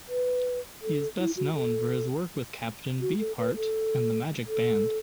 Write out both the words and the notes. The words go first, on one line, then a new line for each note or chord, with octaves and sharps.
He is best known for his work with Captain Beefheart and The Magic Band.
B4
A4
E4
F#4
A4
F#4
A4
B4
A4
A4